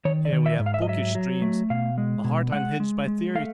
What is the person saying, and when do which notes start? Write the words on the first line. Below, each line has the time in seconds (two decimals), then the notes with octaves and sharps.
Here we have bookish dreams, a heart unhinged by theories.
0.05 D#3 C#5
0.25 D5
0.33 D#3
0.46 E5
0.59 G#2
0.66 F5
0.74 E5
0.82 D#5
0.88 F#3 E5
1.15 F#3
1.42 A3
1.70 B2 F5
1.98 G#3
2.24 B2
2.52 G#3 F#5
2.80 G#3
3.08 G#3
3.35 A3 F5